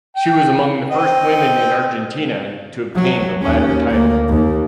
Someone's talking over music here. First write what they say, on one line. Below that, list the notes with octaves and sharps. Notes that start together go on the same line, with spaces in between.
She was among the first women in Argentina to obtain the latter title.
G5
C4 D#5
F#3
D#2 C#4
D2 A#3
D#2